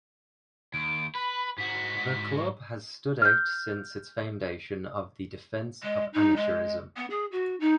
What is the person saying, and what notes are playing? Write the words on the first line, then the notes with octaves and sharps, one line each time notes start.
The club has stood out since its foundation of the defense of amateurism.
D#2 D7
B4 B5
G#2 F#4 B6
F6 G6
G#3
D#4
G#3
B3
G#4
F#4
D#4